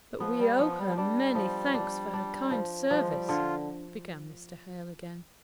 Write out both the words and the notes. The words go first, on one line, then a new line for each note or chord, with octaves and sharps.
'But we owe her many thanks for her kind service,' began Mr. Hale again.
F3 B3
G3
F3 B3
G3
F3
G3 D4
F3
D4
D4
F3
F3 G3
G#3
G3
D3 F4